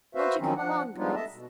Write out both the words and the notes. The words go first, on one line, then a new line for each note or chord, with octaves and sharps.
"Won't you come along, girls?"
F#4 B4 C5 E5 F5
D#3 F3 F#3 C4 C#4 D#4
F3 D4 F#5
G3 G#3 B3 D4 D#4 F4
A4 D#5 E5 A5
B2